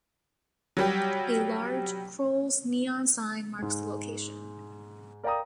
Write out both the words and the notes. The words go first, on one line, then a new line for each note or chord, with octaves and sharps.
A large "Croll's" neon sign marks the location.
F#3 G3 G4
G#2 G#3
A#4 D5 F5 G5 A#5 D#6